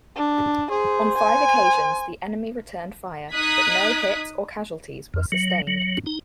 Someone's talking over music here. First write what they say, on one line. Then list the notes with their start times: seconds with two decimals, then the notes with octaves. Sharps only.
On five occasions the enemy returned fire, but no hits or casualties were sustained.
0.15 D4
0.71 G#4 C5
1.17 G#5
3.32 D#4 D#6 F#6 G#6 B6
5.14 F2
5.32 F#3
5.67 F#3
6.06 D#4